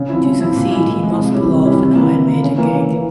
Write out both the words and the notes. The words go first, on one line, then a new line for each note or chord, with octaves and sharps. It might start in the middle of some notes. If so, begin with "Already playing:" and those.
To succeed he must pull off an Iron Maiden gig.
Already playing: C#3
F3 C4 E4
C#3
F3 C4 E4
A#2
G#3 E4
A#2
G#3 E4
C3
G3 C#4 E4
C3
G3 C#4 E4
C3
E3 A#3 E4
C3
E3 A#3 E4
C#3
E3 A#3
C#3
E3 A#3